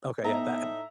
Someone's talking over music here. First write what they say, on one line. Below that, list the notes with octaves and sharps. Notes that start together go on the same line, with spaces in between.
Okay, yeah, that
A2 B3 D#4 E5 A#5